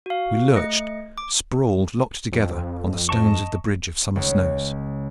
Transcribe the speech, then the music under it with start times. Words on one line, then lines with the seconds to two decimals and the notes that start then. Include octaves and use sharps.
We lurched, sprawled, locked together, on the stones of the Bridge of Summer Snows.
0.06 F#4 F5
0.56 A3 D#5 C#7
1.18 D6
2.32 F2
3.09 D#5 A5 C#6
4.16 C#2